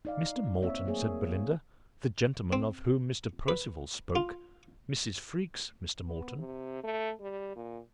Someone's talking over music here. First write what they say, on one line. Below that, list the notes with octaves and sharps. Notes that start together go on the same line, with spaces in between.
"Mr. Moreton!" said Belinda, "the gentleman of whom Mr. Percival spoke, Mrs. Freke's Mr. Moreton?"
D#4 D5 F5
A#3 C4 C#5 E5
F#3 A3 A#3 G#4 C#5
C4
B4
F4
B3
C3
A3
G3
A#2